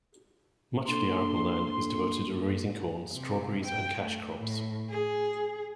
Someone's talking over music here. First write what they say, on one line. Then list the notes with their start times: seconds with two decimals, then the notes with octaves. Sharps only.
Much of the arable land is devoted to raising corn, strawberries and cash crops.
0.85 A#3 D4 A4 C6
3.14 C3
3.66 G5
4.03 A3
4.36 A2
4.90 G#4